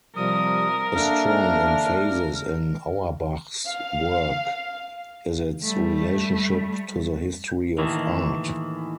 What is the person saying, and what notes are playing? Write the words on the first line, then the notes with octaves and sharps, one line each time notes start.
A strong emphasis in Auerbach's work is its relationship to the history of art.
C3 F3 G3 A#4 D#6
A3 A#3 D4 D5 F6
F5
G3 A3
D#2 A2 D#3 E3